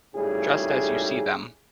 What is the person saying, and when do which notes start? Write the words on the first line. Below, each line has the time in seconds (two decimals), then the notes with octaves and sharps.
Just as you see them.
0.16 G#1 A2 C#3 G3 G#4